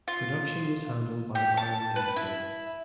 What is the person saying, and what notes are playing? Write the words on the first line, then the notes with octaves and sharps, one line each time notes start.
Production was handled by Aaron Dessner.
F4
G4
A5
B4
E4